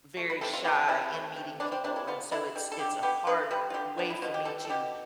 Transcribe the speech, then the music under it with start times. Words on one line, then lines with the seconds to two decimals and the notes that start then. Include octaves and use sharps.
very shy in meeting people, and so it's it's a hard way for me to
0.17 A3
0.30 B4
0.41 C3 A4
0.53 F4
0.65 E3 G4
0.89 C3 E4
1.13 A3
1.36 C3
1.60 E3 D4
1.72 C4
1.84 C3 D4
1.96 E4
2.07 B3 F4
2.32 D3 E4
2.56 G3
2.72 A4
2.79 D3 G4
3.03 B3 G4
3.27 D3 B4
3.51 G3 B4
3.70 F4
3.74 D3 G4
3.98 B3 D4
4.10 E4
4.22 B2 F4
4.34 G4
4.45 G3 A4
4.65 A4
4.70 B2 G4